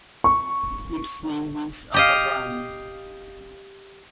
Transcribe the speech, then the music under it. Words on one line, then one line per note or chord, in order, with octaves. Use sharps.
Its name means "Upper Rhine".
C#6
G4 D#5 F5